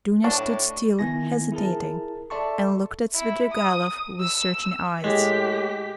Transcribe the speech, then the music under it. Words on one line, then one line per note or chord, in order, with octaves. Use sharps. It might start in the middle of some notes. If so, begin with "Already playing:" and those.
Dounia stood still, hesitating, and looked at Svidrigailov with searching eyes.
A2 D4 C#6
D#3 B3 E4 G#5 A#6
E4 G#4 A#4 A5
A4 D5 E5 A5 C6 C#6
E4
D#6
E6
A2 G#3 G4 B6